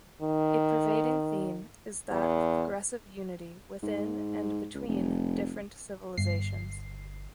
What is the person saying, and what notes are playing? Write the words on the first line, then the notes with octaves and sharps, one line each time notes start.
A pervading theme is that of progressive unity within and between different civilizations.
D#3
E2
G#2
C#2
F1
G1 C7